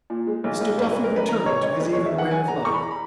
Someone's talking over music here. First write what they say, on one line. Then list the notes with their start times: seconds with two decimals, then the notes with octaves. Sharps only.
Mr. Duffy returned to his even way of life.
0.10 A#2
0.27 G#3
0.44 B1
0.61 B1
0.78 G#1 B4
0.91 G#1 B4
1.03 A#4
1.12 F#2 B4
1.29 D#3 A#5
1.46 G#1 C#5
1.63 G#1 C#5
1.80 E2 B4
1.93 E2 C#5
2.06 E5
2.14 D#3 F#5
2.31 F#3 G#5
2.48 E2 A#5
2.65 E2 C#6
2.74 B5
2.83 A#5
2.91 B5